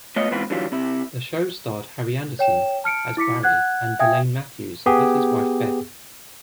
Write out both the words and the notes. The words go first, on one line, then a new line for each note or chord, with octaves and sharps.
The show starred Harry Anderson as Barry and DeLane Matthews as his wife Beth.
A3 B3 F4 C#5 D#5
G#2 E3 B3 C4 F4 B4
D3 E3 F#3 G3 F4
C3 E4
C#5 G5 E7
A5 F6 C#7 D7
E4 D6 B6 C#7
F#5 F#6 G#6
E5 F5 G5 G#5 D#6 G#6
B3 G4 G#4